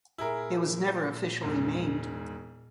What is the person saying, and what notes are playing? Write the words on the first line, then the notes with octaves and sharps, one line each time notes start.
It was never officially named.
A#2 E4 G#4 A#4
E1 G#2